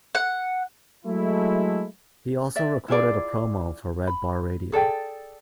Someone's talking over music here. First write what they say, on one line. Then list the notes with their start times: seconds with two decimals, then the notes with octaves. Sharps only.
He also recorded a promo for Red Bar Radio.
0.15 F#5
1.05 F#3 G#3 A3 E4
2.56 D5 E5
2.88 E4 F4 G#4 D5
4.07 B5
4.72 G#4 A4 D5 G5